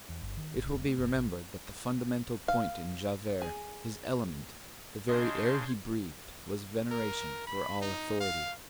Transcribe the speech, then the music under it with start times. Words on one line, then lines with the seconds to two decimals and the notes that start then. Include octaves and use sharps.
It will be remembered that the fundamental point in Javert, his element, the very air he breathed, was veneration for all authority.
0.09 E2
0.22 G1
0.37 D#3
0.55 G#1
0.72 F1
0.85 A3
0.98 F#1
1.14 A1
2.48 F5
3.42 G#4
5.09 C#3 D4 D#5 C6 G6 G#6
6.91 A#4
7.47 B5
7.81 D#4
8.20 F5